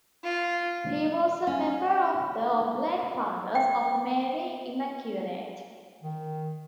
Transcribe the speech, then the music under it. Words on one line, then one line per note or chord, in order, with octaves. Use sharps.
He was a member of the Oblate Fathers of Mary Immaculate.
F4
C#4
G5
D#3